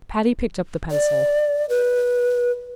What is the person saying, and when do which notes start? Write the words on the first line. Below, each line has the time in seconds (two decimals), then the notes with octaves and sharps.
Patty picked up the pencil.
0.91 D5
1.69 B4